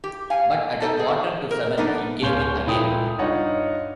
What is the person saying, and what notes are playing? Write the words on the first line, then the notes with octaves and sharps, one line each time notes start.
But at a quarter to seven he came in again.
G4
F5 G#5
D#4 A4 A5
G#4
A#4
A3 B3 D4 D#4 B4
D1 C#4 F5 C6 G6 G7
C#2 A#2 E4 A4 G5 D#6
G2 D#4 F4 C#5 D#5 F#5